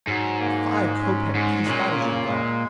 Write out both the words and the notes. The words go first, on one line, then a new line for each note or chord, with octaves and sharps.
A five-kopek piece--that is your God!
G#2 F#3
A#3
G#3
C#4
G#2 G#3
A#2 C#4
C#3
G#3